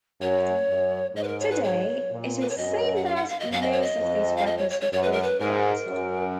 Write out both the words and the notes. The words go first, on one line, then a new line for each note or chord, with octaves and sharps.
Today it would seem that most of these records were falsified.
F#2 C#5
F#2
G#2 D#5
B4
A#4
C#5
B4
C#5
A#2
B4
C#5
F#2 D#5
F#5
F5
F#5
F5
D#5
F#2 F5
D#5
C#5
D#5
F2
F5
D#5
C#5
C#5
C#5
F#2 C#5
B4
A#4
B4
G#2 A#4
F#2